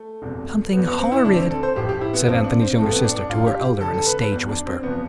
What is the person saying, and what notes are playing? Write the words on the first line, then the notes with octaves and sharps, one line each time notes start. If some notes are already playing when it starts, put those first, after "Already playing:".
"Something horrid," said Anthony's younger sister to her elder in a stage whisper.
Already playing: A3
E1 E2 C3
E2 B2 B3
B3
C4
E4
E1 D2 D3 D4
C4
A4
C5
A1 A2 F3 G4
G4
E4
B3
A1 G2 F3 C4
D4
C4
A1 A2 F3 A3
B3
D4
D4
A1 G2 F3 F4
G4
F1 F2 D3 A4
A4
B4
B4
E2 B2
D4
C4
E2 C3 F3 B3